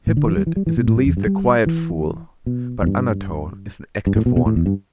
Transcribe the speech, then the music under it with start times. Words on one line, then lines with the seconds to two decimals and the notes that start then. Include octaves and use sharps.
Hippolyte is at least a quiet fool, but Anatole is an active one.
0.07 A2
0.17 D3
0.27 E3
0.37 G3
0.47 E3
0.56 G3
0.67 E3
0.77 B2
0.87 A2
0.96 G2
1.06 E2
1.17 G2
1.27 G3
1.66 E3
2.46 B2
2.82 E2
2.86 G2
4.07 G2
4.16 A2
4.26 B2
4.36 B2
4.46 A2
4.56 E2
4.66 G2